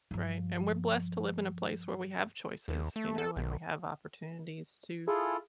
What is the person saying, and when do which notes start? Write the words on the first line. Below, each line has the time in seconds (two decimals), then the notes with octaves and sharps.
Right, and we're blessed to live in a place where we have choices, you know, and we have opportunities to
0.11 G2 F3
2.68 D#2
2.96 A3
3.18 A4
3.36 B1
5.07 E4 F4 G#4 A4